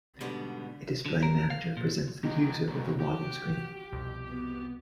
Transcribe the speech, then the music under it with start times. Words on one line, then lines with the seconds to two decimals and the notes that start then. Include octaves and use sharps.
A display manager presents the user with a login screen.
0.21 G#2 B2 D3 G3 B3
1.06 D3
1.23 A#4
1.50 F5
1.77 A#2
2.24 D#3 F#3 G#3 G4 D#5
2.69 G#2 B2 G3 F#4
3.00 G4
3.92 C2 F2 B2
4.29 B3 F#4